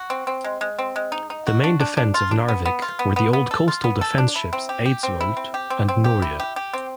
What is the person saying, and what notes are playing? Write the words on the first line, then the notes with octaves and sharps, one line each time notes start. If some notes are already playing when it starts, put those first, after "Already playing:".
The main defence of Narvik were the old coastal defence ships "Eidsvold" and "Norge".
Already playing: F#4
C4
C4
G#3
G#3
C4
G#3
D#4
D#4
F#4
D4
D4
D4
F4
D4
B3
B3
F4
B3
B3
B3
A4
F4
B3
A4
D4
E4
C4
G4
G4
C4
E4
C4
G4
C4
C4
G4
E4
G4
G4
C4